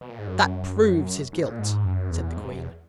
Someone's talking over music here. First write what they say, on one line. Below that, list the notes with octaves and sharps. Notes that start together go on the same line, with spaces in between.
'That PROVES his guilt,' said the Queen.
B2
A#2
G#2
F#2
G#2
A#2
G#2
F#2
E2
G#2
F#2
E2